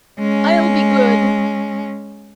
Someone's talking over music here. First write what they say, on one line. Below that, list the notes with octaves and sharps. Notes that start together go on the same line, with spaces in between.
I'll be good!'
G#3 C#4